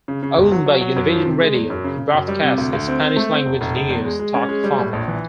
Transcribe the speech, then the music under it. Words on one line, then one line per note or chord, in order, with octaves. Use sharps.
Owned by Univision Radio, it broadcasts a Spanish-language news talk format.
C#3
C#3
G1
F#3
F#3
F#3
F#2
F3
C3
G#3
E2
F#2
C#3
C#3
F#2
G3
C3
D2
D2
C4
C4
A3
C4
F1
F1
F1
E2
G#3
G#3
C#4
G#3
G3
A2
A#1
E3